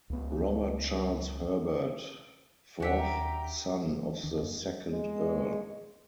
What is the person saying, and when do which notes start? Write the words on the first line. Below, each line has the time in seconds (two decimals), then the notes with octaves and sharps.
Robert Charles Herbert, fourth son of the second Earl.
0.10 C#2 B3
2.80 D#2 D4 F#4 G4 E5 F#5 B6
2.98 G5 A#5
3.90 E3
4.23 D2 D#3 D4
4.40 F#2 A#3 D4
4.92 G#3